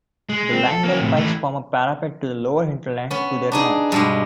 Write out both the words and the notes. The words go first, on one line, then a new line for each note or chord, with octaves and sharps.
The Langdale Pikes form a parapet to the lower hinterland to their north.
G#3
C4
A4
A#3 C#4
A2 C3
E3 A3
B3 C#4
D4 D#4 G#4
G2 B2 G#3